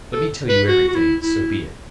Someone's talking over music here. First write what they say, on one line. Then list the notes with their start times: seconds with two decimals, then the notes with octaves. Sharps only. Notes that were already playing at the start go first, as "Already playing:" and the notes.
Let me tell you everything, so be it.
0.13 A4
0.49 B4
0.68 F#4
0.89 F#4
0.95 E4
1.21 E4